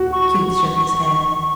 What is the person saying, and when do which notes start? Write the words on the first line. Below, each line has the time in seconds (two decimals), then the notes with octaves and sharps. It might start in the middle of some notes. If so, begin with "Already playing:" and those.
Keith shook his head.
Already playing: F#4
0.12 C#6